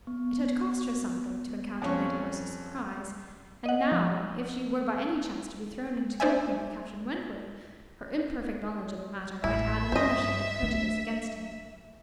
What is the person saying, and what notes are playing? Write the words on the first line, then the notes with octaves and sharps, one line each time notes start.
It had cost her something to encounter Lady Russell's surprise; and now, if she were by any chance to be thrown into company with Captain Wentworth, her imperfect knowledge of the matter might add another shade of prejudice against him.
B3
F2 C#4 C#6
D#5 F#5
F3
D4 D#4 C5 D5 E5 G#5
A1 A2 E4 E5
G2 C5 D#5
A3 D4